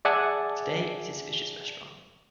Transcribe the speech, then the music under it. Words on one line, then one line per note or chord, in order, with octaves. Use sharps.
Today it is Fischer's Restaurant.
G#4 D5 E5 F#5 G#5 A5